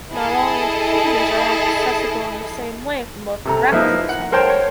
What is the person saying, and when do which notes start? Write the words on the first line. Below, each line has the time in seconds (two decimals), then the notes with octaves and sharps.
Not all interchanges are accessible in the same way from both directions, however.
0.11 E4 G#4 A4 D#5
3.45 C3 A4 A#5
3.72 F3 A#3 D#4 E4 B4 E5
4.09 F#5
4.32 A#4 C5 C#5 G5 A5 C6
4.50 C#5